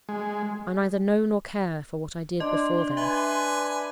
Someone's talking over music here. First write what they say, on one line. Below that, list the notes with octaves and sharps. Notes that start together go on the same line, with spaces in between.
I neither know nor care for what I did before then.
G#3
D4 D5 D#5 C6
B4 E5 G#5